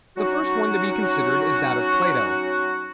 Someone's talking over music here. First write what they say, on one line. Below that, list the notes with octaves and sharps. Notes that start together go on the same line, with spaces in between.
The first one to be considered is that of Plato.
F#3 C#4 D#4 F#4